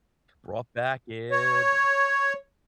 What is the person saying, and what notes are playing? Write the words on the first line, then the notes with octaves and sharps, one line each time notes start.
brought back in, and
C#5